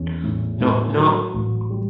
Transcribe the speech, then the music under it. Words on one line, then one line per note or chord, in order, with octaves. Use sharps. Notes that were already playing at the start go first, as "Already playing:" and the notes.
Knock, knock.
Already playing: E2 C#4
A2
A2
F#3
A1
G3